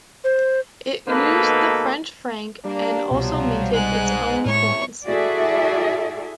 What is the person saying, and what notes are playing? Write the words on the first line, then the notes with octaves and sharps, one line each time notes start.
It used the French franc, and also minted its own coins.
C5
G#2 B2 A#3 D#4 A4 B4
G3 A#3 D4
C2 B2 F3 F#3
G#2 G#3 F#6
A2 C3 G#3 A3 E4 C#5 C#6
E4 F#4 G#4 A4 D5 E5